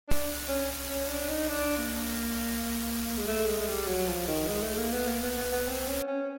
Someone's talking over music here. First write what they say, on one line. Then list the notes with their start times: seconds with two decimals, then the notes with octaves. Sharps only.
When the board becomes full, the round is finished.
0.09 D4
0.48 C#4
0.88 C#4
1.08 D4
1.29 D#4
1.48 D4
1.78 A#3
3.18 G#3
3.28 A3
3.48 G#3
3.60 G#3
3.68 G3
3.87 F#3
4.08 F3
4.28 D#3
4.47 G#3
4.63 A3
4.78 A#3
4.93 B3
5.08 A#3
5.23 B3
5.37 B3
5.53 B3
5.68 C4
5.88 C#4
6.08 C#4